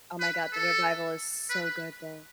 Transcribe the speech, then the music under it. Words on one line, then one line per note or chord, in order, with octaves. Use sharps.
Oh my god, the revival is so good, though.
B4
A4
B4